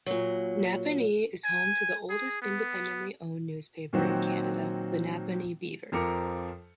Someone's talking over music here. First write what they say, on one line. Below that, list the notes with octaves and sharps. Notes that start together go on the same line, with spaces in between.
Napanee is home to the oldest independently owned newspaper in Canada, "The Napanee Beaver".
A#2 F#3
G#5
G#4
B3
A#2 D#3 F#3 C4 F#4
F2 F3 A#4 A#5 D6 C#7